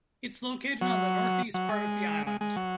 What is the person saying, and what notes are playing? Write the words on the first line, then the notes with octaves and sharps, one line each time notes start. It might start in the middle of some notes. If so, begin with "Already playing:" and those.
It is located on the northeast part of the island.
F#3
F#3
G#3
G#3
G#3
F#3